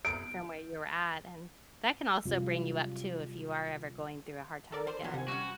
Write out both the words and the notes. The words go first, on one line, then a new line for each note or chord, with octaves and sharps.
from where you were at. And that can also bring you up too if you are ever going through a hard time again
D7
C3 F#3 G3 F4
A4 A#4 D5
C5
B2 F3 F#3
C3 F#5 G#5
G3 C#4 F#4